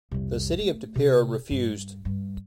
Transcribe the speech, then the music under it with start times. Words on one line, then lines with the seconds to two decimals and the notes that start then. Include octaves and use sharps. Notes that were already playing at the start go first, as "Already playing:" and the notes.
The city of De Pere refused.
0.11 C2 F2
0.59 A3
0.95 C3
1.51 G2
2.05 G2